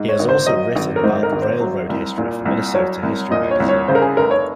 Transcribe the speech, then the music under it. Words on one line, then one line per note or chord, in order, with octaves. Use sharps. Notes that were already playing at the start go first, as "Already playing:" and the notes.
He has also written about railroad history for Minnesota History magazine.
Already playing: G#2
C#5
G#1
C5
F#3 D#5
G#1
A#4
G#2 C5
A#4
G#1
C5
F#3
C2
A#2
C2
F#3 C#5
C2
A#2 D#5
C#5
C2
C#5
C#3 C5
A#4
G#4
F1 A#4
C#5